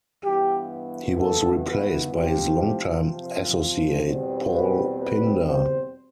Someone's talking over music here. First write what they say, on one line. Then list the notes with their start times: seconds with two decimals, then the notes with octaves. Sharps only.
He was replaced by his longtime associate Paul Pindar.
0.24 G2 E3 B3 G4
1.19 A4
1.67 B4
2.14 C3 F3 C4 G4
3.09 F4
4.04 E2 B2 G3 C4
4.52 B4
5.00 B4
5.47 C5